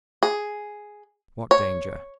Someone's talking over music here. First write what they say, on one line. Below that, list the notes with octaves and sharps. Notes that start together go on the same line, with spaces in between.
"What danger?"
G#4
C#5